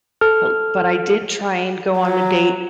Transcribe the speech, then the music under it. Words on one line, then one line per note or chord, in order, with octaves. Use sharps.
But l but I did try and go on a date,
A4 F6
F#3